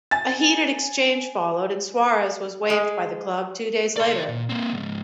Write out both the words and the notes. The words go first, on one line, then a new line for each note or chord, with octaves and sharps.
A heated exchange followed, and Suarez was waived by the club two days later.
G#5 A6
G#3
D5 C6
A#2
A#3 C4
C#2 G#2